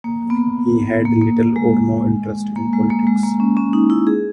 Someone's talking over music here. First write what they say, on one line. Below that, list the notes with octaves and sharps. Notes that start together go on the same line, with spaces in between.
He had little or no interest in politics.
A#3
B3
A#3
A#3
G#3
A#3
G#3
A#3
G#3
A#3
C#4
C#4
D#4
E4
G#4